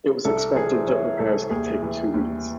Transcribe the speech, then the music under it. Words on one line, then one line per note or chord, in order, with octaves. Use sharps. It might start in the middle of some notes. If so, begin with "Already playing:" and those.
It was expected that repairs could take two weeks.
C2 A4
E3 G#4
C5
E3 C#5
C2 A4
D#2 G#4
E3
D#2